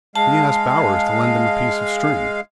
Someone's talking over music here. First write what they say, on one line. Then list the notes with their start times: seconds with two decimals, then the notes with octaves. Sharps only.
He asked Bowers to lend him a piece of string.
0.16 G#3 F5 A5